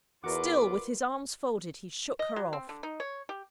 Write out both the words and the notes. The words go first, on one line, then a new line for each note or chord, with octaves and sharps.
Still, with his arms folded, he shook her off.
E2 F4 F#4 A#4 B4 D5 D6
D#5
F#3
C4
D3
D#4
C#5
G4